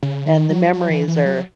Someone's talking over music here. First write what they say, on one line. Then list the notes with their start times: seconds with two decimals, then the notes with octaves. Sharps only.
and the memories are
0.03 C#3
0.26 D#3
0.49 F#3
0.73 F#3
0.90 E3
1.08 E3
1.26 F#3